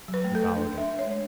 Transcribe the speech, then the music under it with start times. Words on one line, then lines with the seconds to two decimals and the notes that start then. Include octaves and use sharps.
He followed her.
0.08 F#3
0.14 B4
0.24 A3
0.35 A4
0.40 A3
0.56 D4
0.72 D4
0.78 E5
0.88 D4
0.99 C#5
1.04 G#3